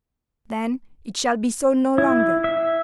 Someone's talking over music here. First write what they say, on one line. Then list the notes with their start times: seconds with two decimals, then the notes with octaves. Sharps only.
'Then it shall be so no longer!
1.98 E4
2.44 E5